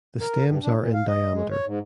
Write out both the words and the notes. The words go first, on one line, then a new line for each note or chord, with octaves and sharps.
The stems are in diameter.
A#4
G2
D4
A#2
F5
D#5
G#3
C#5
G#2